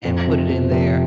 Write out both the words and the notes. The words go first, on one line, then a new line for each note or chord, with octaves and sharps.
and put it in there.
F2
C3 F3 C4 G4
F2
C3 F3 C4 G4